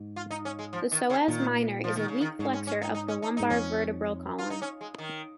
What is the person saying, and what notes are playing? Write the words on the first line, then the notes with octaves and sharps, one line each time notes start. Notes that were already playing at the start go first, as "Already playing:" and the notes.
The psoas minor is a weak flexor of the lumbar vertebral column.
Already playing: G#2
F4
D#4
C#4
G#3
F3
D#3
C#3
A#2 D#3
F3
D#3
C#3
D#3
G#2 C#3
C#4
C#4
D#4
D#4
C#4
D#4
D#4
G#2
F2 C#4
F4
D#4
C#4
G#3
D#3